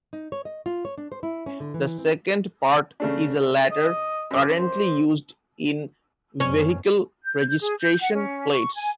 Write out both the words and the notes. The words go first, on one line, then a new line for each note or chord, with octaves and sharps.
The second part is a letter, currently used in vehicle registration plates.
D#4
C#5
D#5
F4
C#5
D4
C5
E4
C#4
D3
E3
C4
C#3 A3 D4
D#5
F#2 D6
C5
F#2 B2 C#4
G6
G#4
G6
F#5
C#4
C#6
G#5